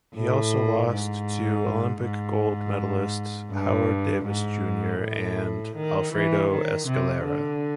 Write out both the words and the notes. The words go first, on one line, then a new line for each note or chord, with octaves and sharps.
He also lost to Olympic gold medalist Howard Davis Junior and Alfredo Escalera.
A2
G#2
G#2
G2
G#2
A2
D#3
E3
D#3
C3
D3